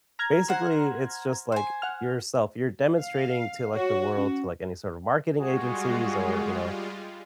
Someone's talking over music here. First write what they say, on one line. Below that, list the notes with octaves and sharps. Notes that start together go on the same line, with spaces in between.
Basically, it's just, like, yourself you're demonstrating to, like, the world, to, like, any sort of marketing agencies, or, you know,
A#5 F6 G#6
C5 F#5
C5 G#5
F#5 F6
F5
F#4 C#5
C#4
G3 G#3 F4 F#4 G#4